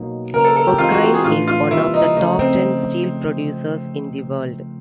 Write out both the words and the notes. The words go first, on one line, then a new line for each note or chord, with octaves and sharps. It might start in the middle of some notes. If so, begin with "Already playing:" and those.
Ukraine is one of the top ten steel producers in the world.
Already playing: B2 F#3 A#3 D#4
C#3 F#3 A#3 A#4
A4
A4
G4
E3 G#3 C4 D#4 F4
F#4
G4
G#4
A2 E3 A3 D4 F4
F4
C3 E3 G3 A#3 E4
D#4
C#3 F3 A3 D#4
C4